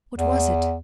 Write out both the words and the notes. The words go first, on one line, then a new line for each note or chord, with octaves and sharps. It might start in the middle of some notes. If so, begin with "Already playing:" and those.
What was it?
E2